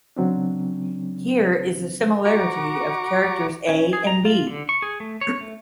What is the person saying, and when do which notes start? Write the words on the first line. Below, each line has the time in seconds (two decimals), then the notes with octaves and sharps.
Here, is the similarity of characters "a" and "b".
0.16 C#3 F#3 C4 D4
2.25 F#4 A#5 C#6 D6
3.69 C#4
3.93 G#4
4.07 A#5
4.25 F4
4.47 D3
4.69 C#6
4.82 G#4
5.00 A3
5.21 C#5
5.41 A3